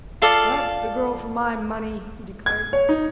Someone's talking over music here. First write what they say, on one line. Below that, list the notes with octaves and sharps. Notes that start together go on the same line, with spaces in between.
"That's the girl for my money," he declared.
F4 A4 D5 F5
G#6
C#5
D#4